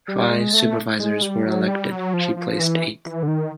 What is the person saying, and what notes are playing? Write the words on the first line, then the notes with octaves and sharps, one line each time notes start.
Five supervisors were elected; she placed eighth.
G3
G#3
A3
G#3
G3
F#3
G3
F#3
F3
F3
E3
E3
D3
D#3